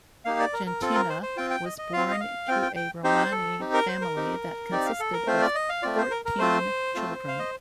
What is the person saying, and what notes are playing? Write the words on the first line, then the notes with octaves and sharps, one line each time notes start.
Jentina was born to a Romani family that consisted of fourteen children.
A#3 D#4 G4 F5
D5
A#4
A#4
C4 F4 A4
A#4
C5
C5
C4 F4 G5
G5
D#5
D#5
C4 F4 F5
D#5
F5
C4 F4 G5
G5
G5
C4 D#4 G4 C5
A4
C4 D#4 G4
A#4
C5
A#4
C4 D#4 G4
C4 D#4 G4 D5
F5
A4
A#4
A3 C4 F4 C5
D5
D#5
F5
A3 C4 F4 D5
C5
A#4
A#4
A3 C4 F4 C5
A3 C4 F4
F5
D#5